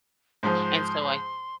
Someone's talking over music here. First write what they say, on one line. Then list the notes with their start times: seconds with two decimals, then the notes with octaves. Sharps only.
And so I
0.43 G#2 F3 C6